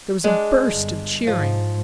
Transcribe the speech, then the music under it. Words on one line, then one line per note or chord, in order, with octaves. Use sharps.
There was a burst of cheering.
G#3 D4
G1 G2
G#2 F3